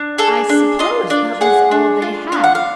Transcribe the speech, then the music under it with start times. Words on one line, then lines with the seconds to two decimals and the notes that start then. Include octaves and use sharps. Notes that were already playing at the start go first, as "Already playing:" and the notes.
"I suppose that was all they had."
Already playing: D4
0.18 G#4 A4
0.49 D4
0.79 F4 D#5
1.10 D4 D5
1.41 G#4 F#5
1.71 D4
2.02 F4
2.32 D4 F5
2.44 F#5
2.55 F5